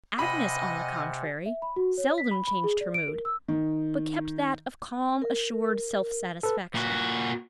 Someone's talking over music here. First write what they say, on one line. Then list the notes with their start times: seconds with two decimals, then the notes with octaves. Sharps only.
Agnes, on the contrary, seldom changed her mood, but kept that of calm assured self-satisfaction.
0.19 C3 D#5 F#5 G#5 B5
1.46 E5
1.62 B5
1.76 F#4
1.98 C#5
2.18 B6
2.31 B5
2.47 B5
2.64 G#4
2.81 D5
2.94 D7
3.08 A#4
3.25 E6
3.48 D#3
5.22 A#4
6.43 A4 B4
6.75 A#2 F#4